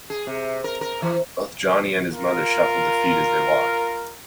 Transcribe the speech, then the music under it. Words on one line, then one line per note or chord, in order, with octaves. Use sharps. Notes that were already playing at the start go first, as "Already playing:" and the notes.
Both Johnny and his mother shuffled their feet as they walked.
G#4
C3
A#4
A#4
E3
F4 A#4